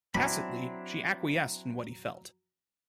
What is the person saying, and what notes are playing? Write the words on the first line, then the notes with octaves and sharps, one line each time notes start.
Tacitly, she acquiesced in what he felt.
F#3 C4 D4 E4 A#5 B5